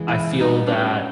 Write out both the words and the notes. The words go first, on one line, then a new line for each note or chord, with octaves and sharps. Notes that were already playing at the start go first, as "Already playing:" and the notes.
I feel that
Already playing: F#2 C#3 E3 G#3
E4
A#2 G3 B3 D#4
D4
C#4